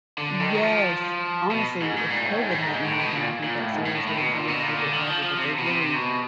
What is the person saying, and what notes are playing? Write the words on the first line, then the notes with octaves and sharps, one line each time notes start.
Yes. Honestly, if COVID hadn't happened, I think that series would have done a little bit better, but they really
D3
D#3
F#3
F3
B2
G#2
A2
A#2
A2
G#2
A2
G#2
G#2
A2
B2
A#2
A#2
A2
G#2
A2
A2
A2
B2
A#2
B2
A#2
D3
D#3
F3
F3
C3
B2
C3
C3
B2